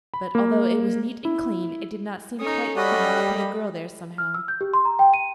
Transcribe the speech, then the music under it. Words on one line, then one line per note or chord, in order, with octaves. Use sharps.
But, although it was neat and clean, it did not seem quite the thing to put a girl there somehow.
B5
A#3
E4
C#4 D#4 A4 D#6
G3 C#4 F#4 D5 D#5 B5
A#3
F6
E6
G6
G4
C6
A#5
G5
D#7